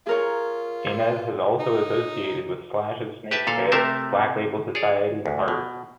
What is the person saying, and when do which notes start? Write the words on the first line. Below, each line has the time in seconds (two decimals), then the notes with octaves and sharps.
Inez has also associated with Slash's Snakepit, Black Label Society, and Heart.
0.07 F4 G#4 A#4 C#5
1.60 D#4
3.31 G4 B4 E5 A5
3.47 A#2 A4 F5
3.72 C3 A3 A#4 C5 E5 A5
4.75 G#4 C#5 D5
5.26 D2
5.48 B2